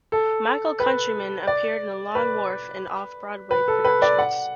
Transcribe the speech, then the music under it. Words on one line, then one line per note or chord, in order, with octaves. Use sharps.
Michael Countryman appeared in the Long Wharf and Off-Broadway productions.
A4
B4
D5
B4
B4
A4
B4
D5
F#5